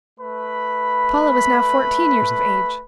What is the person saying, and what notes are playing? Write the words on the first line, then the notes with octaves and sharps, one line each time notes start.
Paula was now fourteen years of age.
A3 B4 B5